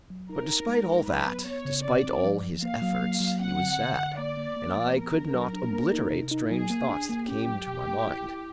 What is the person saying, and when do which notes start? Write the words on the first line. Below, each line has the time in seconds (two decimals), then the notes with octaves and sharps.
But despite all that, despite all his efforts, he was sad, and I could not obliterate strange thoughts that came to my mind.
0.10 F#3
0.30 D#4 A#4
0.49 D#4
0.69 G#3
0.88 D#4
1.07 F#3 B4
1.26 B3
1.46 B3 C#5
1.65 C#3
1.85 C4 D5
2.04 C4
2.24 F3
2.44 F3
2.63 A#3 F5
2.82 F#3
3.02 A#3
3.21 F#3
3.40 C4 F#5
3.59 D3
3.79 D3
3.98 D3
4.18 A#3 D5
4.37 A#3
4.56 A#3
4.76 F3
4.95 B3 A#4
5.15 D4
5.34 F#3
5.53 D4
5.73 A#3
5.93 D#4
6.12 C3
6.31 D#4
6.50 F#3 G#4
6.70 A#3
6.89 D4
7.09 A#3
7.28 C#4 G4
7.48 F#3
7.67 B2
7.86 A3
8.06 E4
8.26 E4